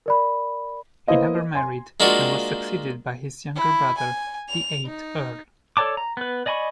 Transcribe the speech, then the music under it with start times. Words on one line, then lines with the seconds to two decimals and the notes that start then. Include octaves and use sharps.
He never married and was succeeded by his younger brother, the eighth Earl.
0.06 A#4 D5 B5
1.08 A#3 B3 E4 C5 D#5 F5
1.55 G#5 C6
2.00 G#3 A#3 D4 F4 F#4
3.55 E4
3.98 G#5
4.49 F7
4.85 D#4
5.77 A4 C#5 D5 A5 D6
5.97 A#5
6.17 B3 B4
6.46 D5 D#5 G#5 B5 C#6